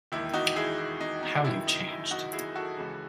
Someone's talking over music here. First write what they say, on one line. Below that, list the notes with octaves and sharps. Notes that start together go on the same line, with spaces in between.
How you've changed!
E1 D#2 D#3 E4
D#4 F#4
E4 G#4
E4
D#4
D#4
F#1 F#2 D#3 E4
D#4
E4
D#4 F#4
E4 G#4
F#4 A4
C#2 C#3 E3